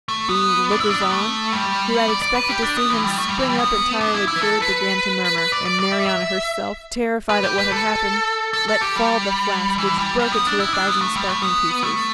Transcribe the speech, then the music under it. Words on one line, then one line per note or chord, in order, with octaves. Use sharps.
The lookers-on, who had expected to see him spring up entirely cured, began to murmur, and Marianna herself, terrified at what had happened, let fall the flask, which broke into a thousand sparkling pieces.
A3
B3
D4
E4
D4
B3
A3
G3
B3
D5
D5
B4
G4
D4
B3
E3
G3
A3
G3
E3
G3
B3
D4
E4
E4
B4
A4
B4
B4
B4
D5
D5
D5
E5
E5
B4
G4
B4
A4
A4
A4
G4
G3
E3
G3
G3
B3
D4
E4
D4
B3
A3
G3
A3
B3
A3